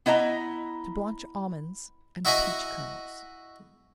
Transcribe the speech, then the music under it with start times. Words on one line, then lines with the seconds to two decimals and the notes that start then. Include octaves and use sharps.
To Blanch Almonds and Peach Kernels.
0.06 B3 E4 D#5 E5 A#5
2.25 E4 F#4 D#5 E5 G#5